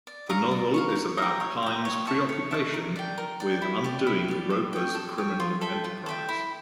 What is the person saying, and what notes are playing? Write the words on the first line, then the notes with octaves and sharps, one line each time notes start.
The novel is about Pine's preoccupation with undoing Roper's criminal enterprise.
D5
F5 A#5 C#6
D5
F5 A#5 C#6
C#5
G5 A#5
C#5
G5 A#5
C#5
E5 A5 C#6
C#5
E5 A5 C#6
A#4
D5 G5
A#4
D5 G5
E4
G4 D5
E4
G4 D5
A4
C#5 G5
A4
C#5 G5
F4
A4 E5 G5
F4
A4 E5 G5
E4